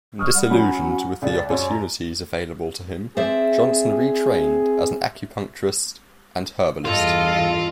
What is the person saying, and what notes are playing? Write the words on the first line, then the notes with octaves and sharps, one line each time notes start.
Disillusioned with the opportunities available to him, Johnson retrained as an acupuncturist and herbalist.
C#6 D#6 F6
G3 F#5
F#3 C#4 B5
C#2 D5
F#2 C#5 D5
A#5
C4 G#4 C5 D5 E5
E2 G2 F4 A4 D#5 F5